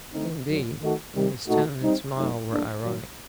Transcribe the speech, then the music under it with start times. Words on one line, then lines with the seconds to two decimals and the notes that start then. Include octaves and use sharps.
"Indeed." His tone and smile were ironic.
0.13 D3 A3 C4 D#4
0.47 F#2 D3 F#3
0.81 D#3 A3 D#4 F#4 A4
1.14 C3 D#3 G3
1.48 A#2 A3 D#4 F#4 A4
1.82 G3 C4 D#4
2.16 F#2 F#3 A3 D#4
2.50 A2 G3 A#3 D4 A4
2.83 G2 D#3 F#3